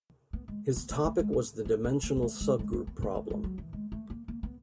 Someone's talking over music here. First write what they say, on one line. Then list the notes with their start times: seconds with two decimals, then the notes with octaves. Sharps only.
His topic was the dimensional subgroup problem.
0.33 B3
0.48 G#3
0.76 B3
0.91 A#3
1.05 A3
1.19 G#3
1.33 B3
1.65 B3
1.84 B3
2.03 A#3
2.17 G#3
2.22 A3
2.41 G#3
2.59 G#3
2.73 A#3
2.87 B3
3.02 A#3
3.15 A3
3.30 G#3
3.44 F#3
3.58 E3
3.73 G#3
3.92 A3
4.10 A#3
4.28 A#3
4.43 B3